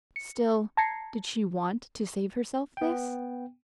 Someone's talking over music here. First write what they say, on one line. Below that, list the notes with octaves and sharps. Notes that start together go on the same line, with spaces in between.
Still, did she want to save herself this?
C#7
A5 A#5 G#6 A#6 C7 C#7
B3 G5